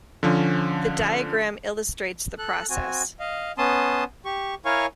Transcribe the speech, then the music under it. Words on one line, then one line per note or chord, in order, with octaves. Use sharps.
The diagram illustrates the process.
D3 F3 C#4
A4 F#6
C4 F#4 G#5
D#5 F5
B3 C#4 A5 C6 D#6
G4 C#6
E4 A#4 C#5 F5 G#5 C#6